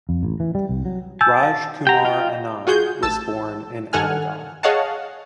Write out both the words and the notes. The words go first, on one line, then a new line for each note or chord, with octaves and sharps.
Raaj Kumar Anand was born in Aligarh.
F2
A1
E3
G3
C2
F#3
G#5 A5 E6 G6
F5
G4 F#5 G5 A#5
F4 D#5 F5 G5
F4 F#4 G#4 G6
A1 A5 E6
G2 D#3 A4 F#5 G#5 F6
G#4 C#5 D#5 F5 F#5 A5